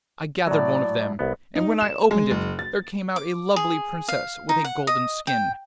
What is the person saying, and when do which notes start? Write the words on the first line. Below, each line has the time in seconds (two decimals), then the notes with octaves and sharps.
I gathered one of them, and when I opened it there came out a lovely princess with a golden skin.
0.47 A2 F#3 D5
1.19 C2 B3
1.55 D#4
1.81 E7
2.11 G#3
2.31 F#1
2.59 A6
3.16 D6
3.56 G#4
4.08 F5
4.49 D#4
4.65 F#5
4.87 D#5
5.27 G5